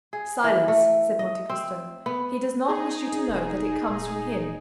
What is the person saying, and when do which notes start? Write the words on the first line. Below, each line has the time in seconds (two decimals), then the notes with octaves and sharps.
"Silence," said Monte Cristo; "he does not wish you to know that it comes from him."
0.13 G#4
0.44 E3
0.68 A3
1.19 D#5
1.49 C4
2.06 B3
2.67 D#4 G#4
3.28 F1
3.88 D#1